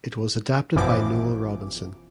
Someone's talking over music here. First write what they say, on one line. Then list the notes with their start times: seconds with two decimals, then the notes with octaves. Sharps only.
It was adapted by Noel Robinson.
0.75 G#1 F#2 B2 E3 F3 D6